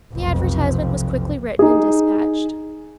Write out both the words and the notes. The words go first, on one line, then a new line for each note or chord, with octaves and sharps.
The advertisement was quickly written and despatched.
F1 B1 F2
D#4 G#4